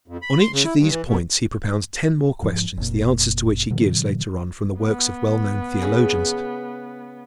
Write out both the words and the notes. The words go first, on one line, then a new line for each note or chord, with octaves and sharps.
On each of these points he propounds ten more questions, the answers to which he gives later on from the works of well-known theologians.
F2
B5
C6
C#3
E4
G2
E3
B2
G#2 F3
F1 A#2
A#2 D3 E3 F#3
B3
C#3